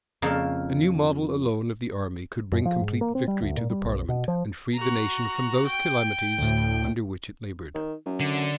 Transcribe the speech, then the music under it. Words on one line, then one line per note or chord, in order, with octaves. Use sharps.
A new model alone of the army could bring complete victory to the parliament, and free the nation from those calamities under which it labored.
F2 C#3 A#3 A#4 F5 A5
F#2
F3
G#2
A#3
C4
G3
D2
A#2
G3
B1
B2
F3
F#4 A#5
G5
D2 A2
D#3
F#2
D3